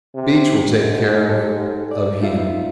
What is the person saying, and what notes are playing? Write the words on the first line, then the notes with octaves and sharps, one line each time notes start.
Beach will take care of--of him.
C3
G#2
G4 A4
D5
D#4 F4 E5